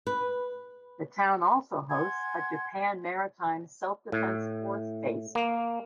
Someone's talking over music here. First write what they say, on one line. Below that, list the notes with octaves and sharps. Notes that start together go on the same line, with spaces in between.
The town also hosts a Japan Maritime Self-Defense Force base.
B4
F#5 G#5 C6 G#6
A2
A#3